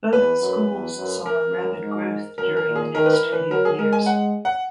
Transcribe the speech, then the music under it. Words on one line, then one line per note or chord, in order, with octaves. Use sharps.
Both schools saw rapid growth during the next few years.
E2 B4
F#2
E2
F#2
A#4
F#2
G#2
F#2 A#4
A#4
A#2
G#4
D#3 A#4
B4
A#4
E3
B4
F#3 A#4
G#4
G#3 A#4
G#5
F#5
F#5